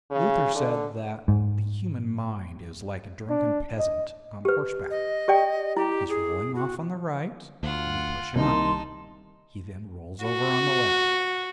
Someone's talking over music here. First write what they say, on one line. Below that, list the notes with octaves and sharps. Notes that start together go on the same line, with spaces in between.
Luther said that the human mind is like a drunken peasant on horseback: he is rolling off on the right, you push him up, he then rolls over on the left.
C#3
D3
G#2
D4
D#5
G4 B4
D#5
G4 D5 G5
E4 G4
G#4
F#4
D2 F4 F#5
C2 C3 D#3 G3 A#3 D#4 A5 C6
F#4